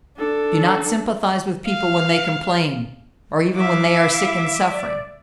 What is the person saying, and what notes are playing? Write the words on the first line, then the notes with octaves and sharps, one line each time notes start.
Do not sympathize with people when they complain, or even when they are sick and suffering.
D4 A4
F5
E4 E5 F5 D6
D5